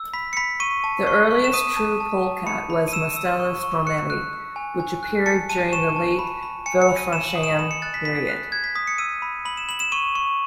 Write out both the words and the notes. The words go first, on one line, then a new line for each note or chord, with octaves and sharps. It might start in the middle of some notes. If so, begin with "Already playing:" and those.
The earliest true polecat was "Mustela stromeri", which appeared during the late Villafranchian period.
Already playing: E6
B5 B6
C#7
B5 B6
C#6 D#7
A5
C#6
C#6
E7
D#6 D#7
A5
A5
A5
B5 C#7
B5
D#7
E6 E7
E6
C#6
C#6
F#6 C#7
F#6
F#6
G#5
G#5
F#6
A5 C#7
A5 D#7
C#6 E7
A5
B5
B5
G#5 C#7
C#7
B5
D#7
B5 E7
F#7
D#6
E7
B5 E7
C#7
F#6 A6
B6
B5 B6
F#6
F#6 G#6
B6
D#6 B6
C#7
E6 D#7
B5
B5 F#7
E7
B5 F#7
E7
C#6 D#7
C#6